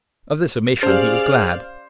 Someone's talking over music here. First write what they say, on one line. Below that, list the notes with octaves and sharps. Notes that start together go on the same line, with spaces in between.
Of this omission he was glad.
C#4 G4 G#4 C5 D5 F5 F6